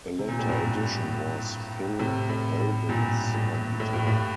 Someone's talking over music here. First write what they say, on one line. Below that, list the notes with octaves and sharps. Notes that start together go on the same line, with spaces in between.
A later addition was Phil Elvins on guitar.
C3
A#2
A2
G2 A#2
A2 C3
A2
A2
G2 A#2
A2
A2
G2
A2